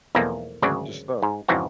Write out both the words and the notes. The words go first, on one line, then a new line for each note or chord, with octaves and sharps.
Just stop,
B1 E2 F3 A3 A#3
G#1 D2 C#3 F#3 G#4 D5
G#2
F2 G#2 C#3 E3 F3 F#4